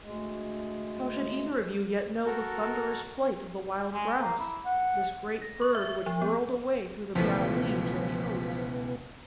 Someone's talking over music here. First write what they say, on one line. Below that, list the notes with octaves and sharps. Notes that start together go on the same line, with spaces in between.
How should either of you yet know the thunderous flight of the wild grouse, this great bird which whirled away through the brown leaves of the oaks?
D2 G#3
F#4 A4 A#4
G#3
A#3
E4
F#5
A#6
C#6
E5
F3
B3
C#2 B2 E3 F3 A3 B3 B6